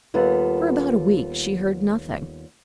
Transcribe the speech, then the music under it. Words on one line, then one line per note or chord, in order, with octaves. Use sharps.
For about a week she heard nothing.
D#2 G3 B3 F4 A4